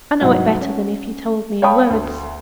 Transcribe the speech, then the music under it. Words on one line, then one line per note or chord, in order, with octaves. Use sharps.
I know it better than if you told me in words.
C2 G#2 F#3 F#5
C#4
C#5 F5 G5 A5 B5 D#6
D2